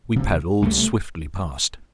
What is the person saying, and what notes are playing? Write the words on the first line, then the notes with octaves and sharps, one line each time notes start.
We paddled swiftly past.
E2 C3
C2 C3 A3
A3